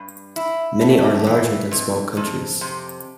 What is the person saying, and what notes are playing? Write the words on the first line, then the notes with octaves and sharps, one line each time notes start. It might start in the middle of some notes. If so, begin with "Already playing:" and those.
Many are larger than small countries.
Already playing: G2
E4
A3
E3
F2
F2
C3